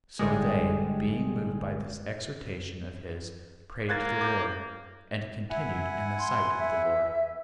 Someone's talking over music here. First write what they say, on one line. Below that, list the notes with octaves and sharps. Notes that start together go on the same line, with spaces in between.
So they being moved by this exhortation of his, prayed to the Lord, and continued in the sight of the Lord.
G1 A2 D3 G3 G#3
A#3 F#6 G#6 A6
D6 G6
E4 E5 F#5 G#5
C6
E5